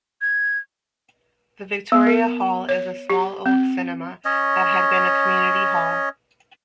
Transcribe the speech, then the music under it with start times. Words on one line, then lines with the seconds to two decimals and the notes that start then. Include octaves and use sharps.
The Victoria Hall is a small old cinema, that had been a community hall.
0.21 G#6
1.92 B3
2.07 A#4
2.69 C#5
3.10 G4
3.46 C4
4.25 C#4 C#5 D#5